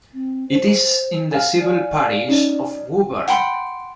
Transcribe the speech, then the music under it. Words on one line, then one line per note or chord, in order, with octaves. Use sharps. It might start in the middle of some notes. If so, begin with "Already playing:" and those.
It is in the civil parish of Wooburn.
C4
C5
F5 G#5
D5
C#4 D#4
F#5 G5 B5 C6